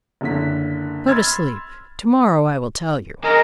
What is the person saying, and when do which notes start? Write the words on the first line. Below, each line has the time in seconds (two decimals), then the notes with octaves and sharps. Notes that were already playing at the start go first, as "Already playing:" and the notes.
Go to sleep; to-morrow I will tell you.'
0.21 F#1 D3 B6
1.08 B5 C6 E6 F6 G#6 A6
3.24 G#3 D#4 A#4